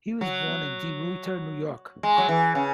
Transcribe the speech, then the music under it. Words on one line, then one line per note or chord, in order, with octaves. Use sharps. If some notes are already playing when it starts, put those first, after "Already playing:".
He was born in De Ruyter, New York.
F#3
G#3
F#3
E3
C#3